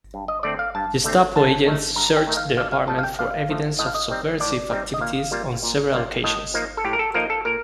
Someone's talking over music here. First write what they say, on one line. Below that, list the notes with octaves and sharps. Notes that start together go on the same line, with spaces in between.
Gestapo agents searched their apartment for evidence of subversive activities on several occasions.
G2
D#5
D3 A3 C4 D5
F5
G2 A5
D3 A3 C4
G2 A5
D#3 A3 D#4
G2 A#5
G5
D#3 A3 D#4
F5
D3 F5
F5
F3 A3 A5
F5
G5
D3 F5
F3 A3
A2 D#5
F5
D#5
G3 C4 D#4
A2 D5
G3 C4 D#4
D#5
A#2 F5
G3 A#3 F4
A#2
G3 A#3 F4
A2 D#5
F3 A#3 D#4
A4
A2 G4
A#4
A4
F3 A#3 D#4 A#4
A4
A#2 A#4